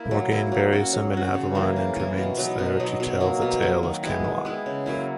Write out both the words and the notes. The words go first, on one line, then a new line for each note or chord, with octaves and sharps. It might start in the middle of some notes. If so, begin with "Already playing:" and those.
Morgaine buries him in Avalon and remains there to tell the tale of Camelot.
Already playing: A#3 E4
F#3
A#3 E4
F#3
C#4 F#4
F#3
C#4 F#4
C#3
E3 A#3
C#3
E3 A#3
B2
F#3 B3 D#4
B2
F#3 B3 D#4
B2
F#3 A#3
B2
F#3 A#3
D#3
G#3 B3 E4
D#3
G#3 B3 E4
C#3
F#3 A#3 E4